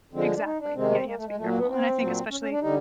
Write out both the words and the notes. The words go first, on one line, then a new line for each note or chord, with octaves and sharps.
exactly, yeah, you have to be careful, and I think especially
D3 F3 G#3 C4
D4
D#4
D4
C3 D#3 G#3 C4
C4
A#3
A3
G#3
A#2 F#3 A3
A#3
B3
C4
A#2 F#3
C#4
C#4
D4
D3 G3 D#4